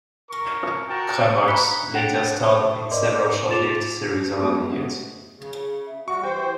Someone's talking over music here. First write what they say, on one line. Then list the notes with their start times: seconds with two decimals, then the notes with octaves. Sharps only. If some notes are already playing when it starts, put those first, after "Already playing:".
Krumholtz later starred in several short-lived series over the years.
0.29 A#4 C#6
0.89 F#4 A#4 G5 A5
1.47 A#5 B5 F#6 B6 C#7 G7
1.94 D4 F#5 G5 F#6 A6 D7
2.43 C5 A5 C6 D#6 G7
2.70 C#6
2.91 A#4 B4 D5 D#5 C6 D6
3.50 F4 D6 A6 E7 F7
4.38 G#3 A3 B3 F#4 G4
5.37 C#3
5.87 E5
6.08 G3 F#4 F#5 C#6
6.24 E3 G4 C5 G5